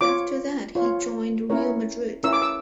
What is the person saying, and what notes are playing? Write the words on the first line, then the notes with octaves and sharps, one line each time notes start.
After that, he joined Real Madrid.
F4 C#5 D6
F4 C#5
C#4 E4 A#4 C#5
C#4 E4 A#4 C#5 E6
D6
E6